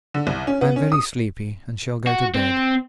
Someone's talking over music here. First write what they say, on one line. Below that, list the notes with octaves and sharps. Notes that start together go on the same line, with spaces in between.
I am very sleepy and shall go to bed....
D3
C2
C#4
B3
C#4
D#6
F#4
C4